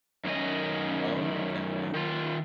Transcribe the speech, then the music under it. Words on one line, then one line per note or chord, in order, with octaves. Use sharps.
Oh, okay.
F#2 D#3 C#4 D#5
D#3 F4